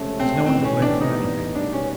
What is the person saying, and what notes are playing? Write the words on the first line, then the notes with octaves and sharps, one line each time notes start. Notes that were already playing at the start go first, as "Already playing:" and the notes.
"Is no one to blame for anything?"
Already playing: C#2 C3 F3 A3 C#4
C4
A2 E3 G3 B3 C4
C#4
D4
D#4
B2 G3 A#3 D4 D#4
C#4